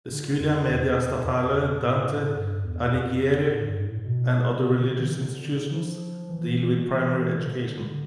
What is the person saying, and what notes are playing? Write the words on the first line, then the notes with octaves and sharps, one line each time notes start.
The Scuola Media Statale "Dante Alighieri" and other religious institutions deal with primary education.
D3
F2
E2
F2
F2
A2
G2
E2
F2
A2
G2
A2
A2
B2
C3
D3
E3
C3
D3
F3
E3
E3
D3